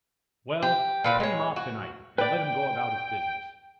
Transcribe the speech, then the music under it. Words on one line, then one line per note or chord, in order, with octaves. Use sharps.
"Well, pay him off to-night, and let him go about his business."
G4
A#2 B4 G5
G#3 C#5
F#4
B4 D5 G5